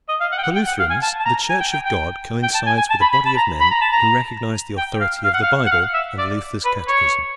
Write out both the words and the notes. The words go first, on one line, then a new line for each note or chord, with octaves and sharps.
For Lutherans the Church of God coincides with a body of men who recognize the authority of the Bible and Luther's catechism.
D#5
F5
F#5
G5
F#5
G5
F#5
F5
G#5
A5
A5
A#5
G#5
G5
G5
G5
G5
A5
G#5
G#5
A5
B5
B5
A5
A#5
B5
A#5
A5
A#5
G5
F5
F5
F#5
F5
F#5
F5
E5
D5
B4
C#5